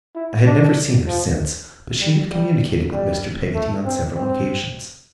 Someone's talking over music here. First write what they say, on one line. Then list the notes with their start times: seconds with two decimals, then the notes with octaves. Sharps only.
I had never seen her since, but she had communicated with Mr. Peggotty on several occasions.
0.15 E4
0.46 D4
1.07 F3
2.01 G3
2.31 G3
2.93 G3
3.55 A3
3.86 C4
4.15 C4